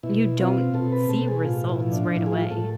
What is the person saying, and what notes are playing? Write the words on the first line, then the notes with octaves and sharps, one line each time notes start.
you don't see results right away,
B2 E4
C4 F4
B2 A4
B4
B2 A4
G#4
A2 F4
E4
F3
D4
A2 E4
G#4
F4
A2 A4